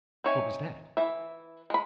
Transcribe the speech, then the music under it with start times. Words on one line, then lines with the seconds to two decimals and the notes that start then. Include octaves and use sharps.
What was that?
0.24 C4 D#4 C#5 E5 G#5
0.97 E3 E5
1.70 G#3 B5